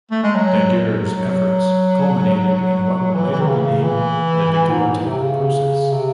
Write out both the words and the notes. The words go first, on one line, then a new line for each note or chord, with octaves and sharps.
Daguerre's efforts culminated in what would later be named the daguerreotype process.
A3
G#3
F#3
F#3
E3
E3
D#3
C#3
E3
E3
G#2
A2
C3
C#3
C3